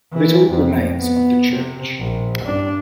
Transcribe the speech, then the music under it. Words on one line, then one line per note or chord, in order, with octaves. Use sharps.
Little remains of the church.
E3
F2
B3
C3
A#1
G2 D4